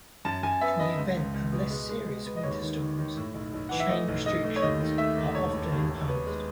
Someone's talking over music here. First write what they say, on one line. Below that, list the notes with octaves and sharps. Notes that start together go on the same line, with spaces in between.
In the event of less serious winter storms, chain restrictions are often imposed.
F#2 A5
F#2 G#5
B3 E5
B3 D#5
C#2
C#2
C#2
B2
G#3
G#3
G#3
B3
D#5
D#2 C#5
D#3
D#3
D#3
A2
B1
B1
E3 F#5
E5
A3 D#5
B1
B1 D#5
A3
C#5
D#2 D#5
D#3
A3 E5
D#2
E1 C#5
E1
D#2
D#2
B3
G#3